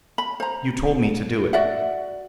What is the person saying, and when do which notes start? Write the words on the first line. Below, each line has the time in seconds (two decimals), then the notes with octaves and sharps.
"You told me to do it."
0.18 B5
0.40 C5 A#5
1.53 F#4 D5 E5 F#5